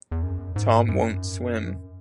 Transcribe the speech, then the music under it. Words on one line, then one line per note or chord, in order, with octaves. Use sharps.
Tom won't swim.
E2
F#2
G#2
F#2